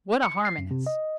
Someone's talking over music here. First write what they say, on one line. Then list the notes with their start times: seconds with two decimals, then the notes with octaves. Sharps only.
What a harmonist!
0.23 C#7
0.45 C7
0.58 F#2
0.71 C3
0.87 D#5